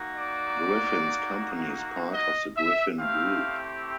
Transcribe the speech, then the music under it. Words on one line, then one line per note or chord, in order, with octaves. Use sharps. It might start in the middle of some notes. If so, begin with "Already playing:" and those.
Griffin's company is part of The Griffin Group.
Already playing: A#3 D#4 F#4
D5
D#5
E5
A3 C4 E4 G4 F5